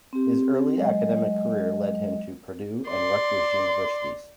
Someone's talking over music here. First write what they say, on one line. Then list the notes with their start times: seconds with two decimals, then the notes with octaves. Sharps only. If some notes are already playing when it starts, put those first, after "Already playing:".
His early academic career led him to Purdue and Rutgers universities.
0.13 C4 G4
0.77 F#3 G#3 D#5
2.88 D5 C6